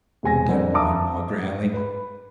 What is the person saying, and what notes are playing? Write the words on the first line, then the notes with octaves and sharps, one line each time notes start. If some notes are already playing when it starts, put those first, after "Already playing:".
Don't mind my growling.
E1 C3 G#5 A#6
F2 D3 C4 A#4
E5 F5 A5 A#5 D6 D#6
B4 B5